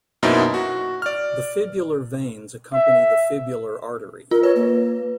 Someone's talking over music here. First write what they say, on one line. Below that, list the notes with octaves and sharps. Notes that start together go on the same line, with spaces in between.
The fibular veins accompany the fibular artery.
F#2 B2 A#3 D#4 E4 C5
F#4
D5 F6
E5
F4 A#4
B4 C#5
A#3